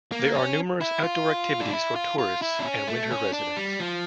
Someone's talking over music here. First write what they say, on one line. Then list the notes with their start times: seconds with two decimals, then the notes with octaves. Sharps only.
There are numerous outdoor activities for tourists and winter residents.
0.12 A#3
0.35 C#4
0.81 E4
1.03 F4
1.61 D4
1.73 E4
1.96 F4
2.18 F4
2.42 E4
2.60 D4
2.64 C#4
2.88 A3
3.11 C#4
3.33 D4
3.56 G3
3.80 F3